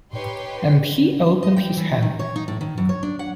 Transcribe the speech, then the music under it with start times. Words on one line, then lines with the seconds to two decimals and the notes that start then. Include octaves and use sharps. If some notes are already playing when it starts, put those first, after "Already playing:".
And he opened his hand.
0.12 D#4 G4 B4 C#5 G5 C6
1.43 D#5
1.56 G5
1.77 E3
2.03 D#3
2.19 C#5
2.36 D#4
2.48 A2
2.61 D#3
2.78 F#2
2.89 C#5
3.03 D4
3.19 F#5